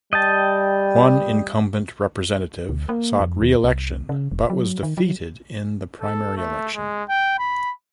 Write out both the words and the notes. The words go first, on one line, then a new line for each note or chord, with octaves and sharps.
One incumbent representative sought reelection but was defeated in the primary election.
G3 D#5 G5 A5
D2
A#3
F2
D#2
C2
C#3
F1
F#3
D#3
F#3
A4
A3
G#3
G5
B5